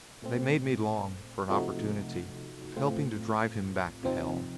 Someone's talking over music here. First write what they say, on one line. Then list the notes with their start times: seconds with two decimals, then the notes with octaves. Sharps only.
They made me long for an opportunity of helping to drive him back to hell.
0.22 A#2 A3 C4
1.49 C3 F3 A3 D#4 F#4
2.76 A2 A3 C4 F4
4.04 C3 F3 C4 D#4